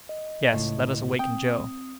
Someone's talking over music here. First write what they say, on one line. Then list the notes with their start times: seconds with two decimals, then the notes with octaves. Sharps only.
"Yes, let us waken Joe."
0.09 D#5
0.53 C#2 A2
1.19 C4 G5 D#6